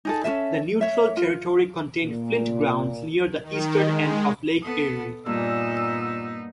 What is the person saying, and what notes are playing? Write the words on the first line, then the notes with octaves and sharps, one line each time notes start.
The Neutral territory contained flint grounds near the eastern end of Lake Erie.
D#4 G#4 A4
C#4 D#4 A4 E5
C#5 E5
F4
A#2
D#3
G#3
B3 A4 D#6
G2 A#2 A#3 B3 D#4 E6